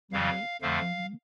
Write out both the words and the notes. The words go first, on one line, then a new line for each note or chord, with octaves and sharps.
Right. Mhm.
F2 C#3 E3 G3 F5
F2 D3 F3 A3 F5